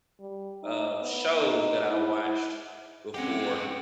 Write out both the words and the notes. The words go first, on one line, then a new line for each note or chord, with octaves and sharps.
um, shows that I watched before.
G3
D#4
B3
D#4
E4
G#3 C4 C#4 G4 D#5 F5 F#5